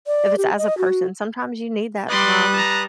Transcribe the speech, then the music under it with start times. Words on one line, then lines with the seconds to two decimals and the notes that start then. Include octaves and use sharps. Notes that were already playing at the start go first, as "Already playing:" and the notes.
If it's as a person, sometimes you need that time
0.07 D5
0.38 G4
0.58 D#5
0.78 F#4
2.09 G3 B4 D5 C6 D#6 F#6
2.53 A5 A#5